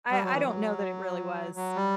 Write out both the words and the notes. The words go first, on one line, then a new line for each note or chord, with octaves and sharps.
I I don't know that it really was.
G3
F#3
E3
F#3
F#3
G3